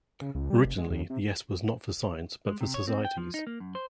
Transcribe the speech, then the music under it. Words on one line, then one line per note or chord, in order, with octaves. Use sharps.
Originally the 'S' was not for science but for Societies.
C#3
C#2
G3
F1
G#3
D#2
C3
G#3
C3
C#5
C4
G5
F3
D#4
A#3
F#2
C5